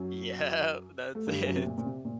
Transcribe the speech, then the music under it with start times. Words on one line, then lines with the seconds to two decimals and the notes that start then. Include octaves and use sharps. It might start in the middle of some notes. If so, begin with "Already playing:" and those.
Yep, that's it.
Already playing: F#2 F#3
1.15 A3
1.27 G2 G3
1.46 F#2 F#3
1.56 C3
1.66 A#2
1.78 A#2
1.85 C3
2.05 A#2